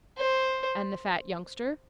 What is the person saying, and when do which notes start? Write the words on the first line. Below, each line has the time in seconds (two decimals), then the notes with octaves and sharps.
"And the fat youngster?"
0.17 C5